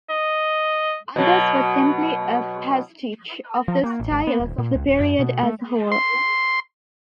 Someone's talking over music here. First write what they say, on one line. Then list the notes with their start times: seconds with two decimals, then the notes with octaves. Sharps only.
Others were simply a pastiche of the styles of the period as a whole.
0.10 D#5
1.16 B2 F#3
3.68 F3
3.83 A#3
4.00 A1
4.11 G#1
4.27 B3
4.39 D#1
4.58 A#2
4.75 C#2
4.86 D#1
5.00 F#2
5.19 B2
5.43 A3
5.92 C6